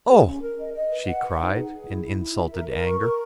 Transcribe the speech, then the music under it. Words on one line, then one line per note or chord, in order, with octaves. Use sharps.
"Oh!" she cried, in insulted anger.
G#4
C#4
A#4
D#5
D#5
B4
F#5
B4
D#4
G#4
G#4
E4
E4
E4
E5
A#4
A#4
C#6
A#4